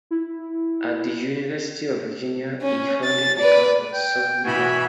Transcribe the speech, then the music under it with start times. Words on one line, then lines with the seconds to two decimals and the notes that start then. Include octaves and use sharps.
At the University of Virginia, he founded a campus soaring club.
0.11 E4
2.62 C#4
3.04 A6
3.40 B4 D5
3.94 G5
4.44 B2 E3 F#4 G#5 B5